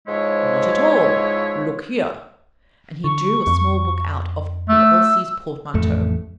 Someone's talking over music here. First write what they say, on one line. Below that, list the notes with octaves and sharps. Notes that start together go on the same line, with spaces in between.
'Not at all; look here.' And he drew a small book out of Elsie's portmanteau.
G#2 F3 G#3 E4 C#5
D3 C#6
F2
A3 E6
A1 F2 A3